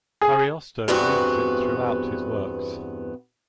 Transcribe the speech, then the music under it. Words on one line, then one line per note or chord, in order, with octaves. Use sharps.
Ariosto uses it throughout his works.
G#4
E2 G2 B3 C4 F#4